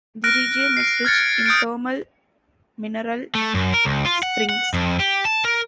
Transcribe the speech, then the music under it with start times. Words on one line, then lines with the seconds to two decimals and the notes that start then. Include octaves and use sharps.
The region is rich in thermal mineral springs.
0.24 F6 F#6 A#6 D7
0.77 C7 D7
1.05 F6 G#6 A6 C#7
1.46 D#6 G6 C#7 D7
3.35 A3
3.54 F#2
3.74 A#4
3.85 C#2
4.05 F4
4.23 F#5
4.49 F#5
4.74 F2
5.00 G4
5.25 A5
5.45 A#4